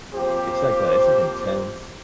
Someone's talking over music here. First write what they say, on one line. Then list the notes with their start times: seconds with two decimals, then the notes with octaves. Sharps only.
it's, like, a it's like intense,
0.14 F3 A#3 C4 G4 C5